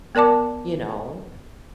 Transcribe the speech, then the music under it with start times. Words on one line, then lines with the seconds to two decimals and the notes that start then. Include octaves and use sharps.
you know?
0.15 B3 A#4 D5 A5 D6